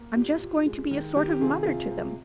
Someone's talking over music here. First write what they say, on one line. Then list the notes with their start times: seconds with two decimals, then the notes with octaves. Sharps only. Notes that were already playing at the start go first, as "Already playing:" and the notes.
I'm just going to be a sort of mother to them.
Already playing: A#3
0.15 A#2 G4
0.41 A#2
0.66 G#3
0.91 D#3
1.16 D#3 G4
1.29 G4
1.41 C3 F4 G#4
1.66 C3 F4 G#4
1.91 C3